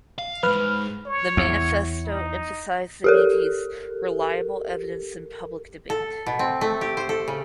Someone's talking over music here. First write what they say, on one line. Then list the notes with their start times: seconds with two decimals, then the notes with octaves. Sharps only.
The manifesto emphasised the need to use reliable evidence in public debate.
0.18 F5
0.43 F2 G#2 B4 F6
1.06 C#5
1.37 E2
2.05 D#4
3.04 G4 A4 A#4
5.90 A4
6.26 B2
6.39 C4
6.61 A3
6.81 G4
6.97 C5
7.09 A4
7.28 C#3